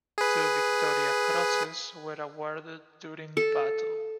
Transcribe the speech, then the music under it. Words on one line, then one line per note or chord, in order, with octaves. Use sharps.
Two Victoria Crosses were awarded during the battle.
G#4 B4
A4